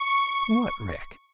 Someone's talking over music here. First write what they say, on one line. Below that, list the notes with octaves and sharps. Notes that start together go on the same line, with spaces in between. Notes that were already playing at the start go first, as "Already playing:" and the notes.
"What wreck?"
Already playing: C#6